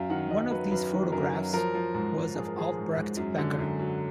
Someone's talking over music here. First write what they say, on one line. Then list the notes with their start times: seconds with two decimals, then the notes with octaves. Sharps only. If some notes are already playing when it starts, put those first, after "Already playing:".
One of these photographs was of Albrecht Becker.
Already playing: F#2 F5
0.10 D#3 F#5
0.30 F#2 D#5
0.51 F#3 B4
0.71 F#2 B4
0.92 D#3
1.12 F#2 A#4
1.33 F#3
1.53 F3 A#4
1.75 F3
1.94 G#2
2.15 G#2
2.35 F3 G#4
2.48 A#4
2.56 F3 G#4
2.77 G#2
2.97 G#2
3.17 F#2
3.38 D3
3.59 F#2
3.79 F#3